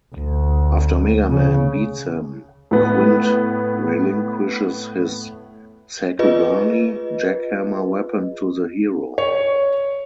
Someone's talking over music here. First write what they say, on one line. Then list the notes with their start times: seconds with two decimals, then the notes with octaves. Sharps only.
After Mega Man beats him, Quint relinquishes his "Sakugarne" jackhammer weapon to the hero.
0.15 D2
1.29 C#3
2.71 A2 B3
6.19 F4 G#4 B4 D#5
9.18 C#5